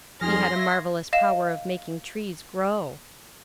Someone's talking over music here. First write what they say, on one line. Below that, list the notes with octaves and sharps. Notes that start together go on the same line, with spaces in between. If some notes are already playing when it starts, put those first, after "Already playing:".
He had a marvellous power of making trees grow.
F2 F3 D#4 G4 G#4 C6 F6 A#6
E5 F5 G#6
D#5 F5 E7